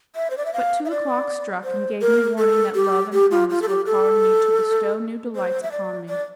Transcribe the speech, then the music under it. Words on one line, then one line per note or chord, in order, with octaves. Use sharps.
But two o'clock struck and gave me warning that Love and Comus were calling me to bestow new delights upon me.
E5
C5
D5
E5
F5
E5
D5
C5
A#4
A4
G4
G4
F4
F4
A4
G4
A4
C5
E5
D5
D5